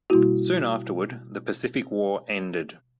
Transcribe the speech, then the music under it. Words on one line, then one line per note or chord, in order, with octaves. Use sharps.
Soon afterward the Pacific war ended.
B2 G3 A#3 E4 F#4